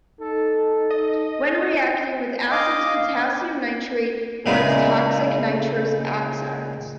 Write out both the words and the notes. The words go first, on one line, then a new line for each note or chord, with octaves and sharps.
When reacting with acids, potassium nitrite forms toxic nitrous oxides.
D#4 A4
D#5
D#5 F5 D6
A#2 C#3 G#3 D#4 E4